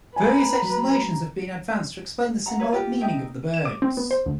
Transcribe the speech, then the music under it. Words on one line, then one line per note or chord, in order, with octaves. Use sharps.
Various explanations have been advanced to explain the symbolic meaning of the birds.
B4 G#5 A#5
F#3
F#5 A#5
B4 C#5 D#5 E5
F4 G4
D#4 E5 G5
E7
D6
C4
B3
C5
D2